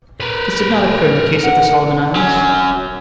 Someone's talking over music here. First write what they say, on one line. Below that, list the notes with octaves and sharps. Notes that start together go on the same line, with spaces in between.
This did not occur in the case of the Solomon Islands.
A#4 B4
F#5
F#3 C#4